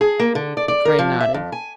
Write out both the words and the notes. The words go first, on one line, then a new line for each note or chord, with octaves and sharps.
De Craye nodded.
G#4
A#3
D3
D5
D5
A#4
F3
E5
F2
G#5